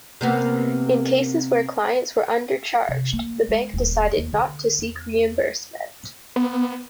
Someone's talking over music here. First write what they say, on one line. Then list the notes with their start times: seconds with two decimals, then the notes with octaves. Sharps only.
In cases where clients were undercharged, the bank decided not to seek reimbursement.
0.21 C3 A#3 B3
2.89 C3
3.13 A#3
3.49 G#3
3.74 D#1
4.17 D#2
4.33 D3
4.79 E2
6.36 B3